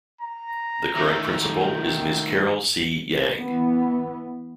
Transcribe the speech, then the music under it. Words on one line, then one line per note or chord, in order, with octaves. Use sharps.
The current principal is Ms. Carol C. Yang.
A#5
D#3 A3
G5
E3 B3